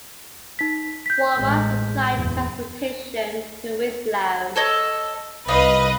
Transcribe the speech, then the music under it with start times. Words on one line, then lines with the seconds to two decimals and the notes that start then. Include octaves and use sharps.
Walmart supplied the transportation to Winslow.
0.59 D#4 B6
1.06 G6 B6
1.37 A1 G#3
2.13 F#1 E2
4.56 A4 C#5 D#5
5.48 C2 D#4 B4 D#5 F5